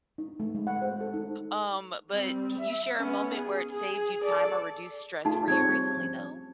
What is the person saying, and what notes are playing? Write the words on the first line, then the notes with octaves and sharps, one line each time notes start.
Um, but can you share a moment where it saved you time or reduced stress for you recently though?
D#4
A3
G#3
F#5
C5
A4
D#4
G3 C4
E5
B3 C#4
G#4
G#4
A4 D5
A3 D#4 F4 G#4 A5
G3 C4 C#5 G#6
F3 C#4